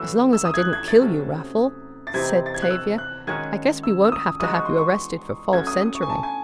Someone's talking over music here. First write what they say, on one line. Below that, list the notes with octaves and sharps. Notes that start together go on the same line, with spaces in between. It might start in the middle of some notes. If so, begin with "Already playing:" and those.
"As long as I didn't kill you, Raffle," said Tavia, "I guess we won't have to have you arrested for false entering."
Already playing: E3 A3 C#4 F#4 E6
E6
D#6
G#6
F#6
G#6
A6
C3 F#3 A3 C#4
A6
C3 E3 C4 D#4 G#6
A6
G#6
F#6
E6
F#6
D#3 G#3 C#4 F#4 G#6
E6
E6
D#6
E3 G#3 D#4 F#4 D#6
C#6
C6
C#6
F#3 A3 C#4 F#4 G#6
D#6
D#6
C#6
G#5
A5
G#5